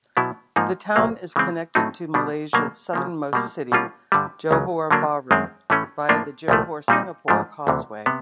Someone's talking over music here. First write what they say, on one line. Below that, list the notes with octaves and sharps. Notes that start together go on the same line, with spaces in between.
The town is connected to Malaysia's southernmost city, Johor Bahru, via the Johor-Singapore Causeway.
B2 F#3 B3 E4
G#2 F3 A#3 D#4
C2 A#2 F#3 A#3
C#3 E3 G#3 C4
A2 F#3 A3 C4 D#4
B2 G3 B3 D4
B2 F#3 A#3 D4
C#3 F3 A#3
B2 G3 A#3
B2 G3 A#3 C#4 F4
G2 D3 G3
C#2 C#3 F#3
D3 F#3 A#3 D4
F#2 D#3 G#3 C4
A2 E3 A3 C#4
A2 F3 A#3 D4 F4
C2 A#2 F3 A3
A#2 G3 C4 D#4
G#2 F3 A3 D4
D2 C3 E3
C3 B3